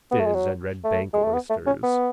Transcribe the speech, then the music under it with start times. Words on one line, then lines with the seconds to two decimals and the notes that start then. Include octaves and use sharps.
Fizz and Red bank oysters.
0.11 B3
0.19 A3
0.26 G#3
0.35 F#3
0.84 A3
1.13 G#3
1.24 A3
1.33 B3
1.49 A3
1.66 C#4
1.83 B3